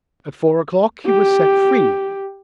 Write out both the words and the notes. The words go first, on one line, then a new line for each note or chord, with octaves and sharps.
At four o'clock he was set free.
G4